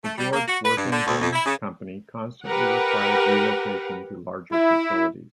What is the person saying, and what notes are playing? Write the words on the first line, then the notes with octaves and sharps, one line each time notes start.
The George Worthington Company constantly required relocation to larger facilities.
A3
G3
A#3
F#4
B4
G2
D3
D2
F2
E4
C#3
G4 A#4 B4 F#5
E4